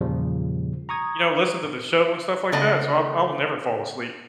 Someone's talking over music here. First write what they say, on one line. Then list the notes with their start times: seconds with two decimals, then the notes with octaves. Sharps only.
you know, listen to the show and stuff like that. So, I w I will never fall asleep.
0.01 E2 A#2 C#3 F3 G3
0.89 A#5 C#6 D#6 G#6
2.52 C#3 A3 B3 D5 D#5 A5